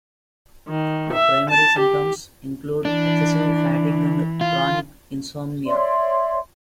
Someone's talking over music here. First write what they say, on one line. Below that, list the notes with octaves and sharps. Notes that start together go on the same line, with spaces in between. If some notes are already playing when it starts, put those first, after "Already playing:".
The primary symptoms include excessive fatigue and chronic insomnia.
D#3
E5
A5
G4
E3 D4
F4
C#5 D5 E5 C6